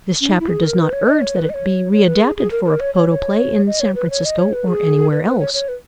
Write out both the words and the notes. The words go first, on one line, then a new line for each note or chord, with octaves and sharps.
This chapter does not urge that it be readapted for a photoplay in San Francisco or anywhere else.
C#4
D#4
E4
G#4
A#4
B4
C#5
D#5
C#5
B4
D#5
C#5
C#5
B4
G#4
G#4
A#4
A#4
C#5
C#5
C#5
D#5
C#5
B4
C#5
D#5
C#5
B4
G#4
B4
B4
C#5
C#5
B4